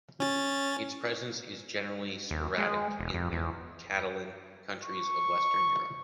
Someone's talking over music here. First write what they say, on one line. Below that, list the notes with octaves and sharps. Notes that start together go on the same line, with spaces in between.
Its presence is generally sporadic in the Catalan Countries or Western Europe.
C#4 A6
D#2
G#3
E1
F2
E2
C#6